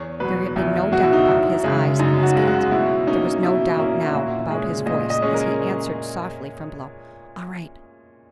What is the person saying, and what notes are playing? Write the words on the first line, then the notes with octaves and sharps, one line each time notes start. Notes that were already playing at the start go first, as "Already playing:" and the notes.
There had been no doubt about his eyes and his gait; there was no doubt now about his voice, as he answered softly from below--"All right!"
Already playing: E2 C#5
B2 F#3 B4
E2 E4
B2 F#3 F#4
E4
D#4
F#2 E4
C#3 G#3
F#2 D#4
F#4
C#3 G#3
F#4
B2 E4
A#3 C#4 D#4
B2 E4
A#3 C#4 E4
F#4
A#2 E4
G#3 C#4 G#4
A#2 D#5
D#5
G#3 C#4 G#4
A#4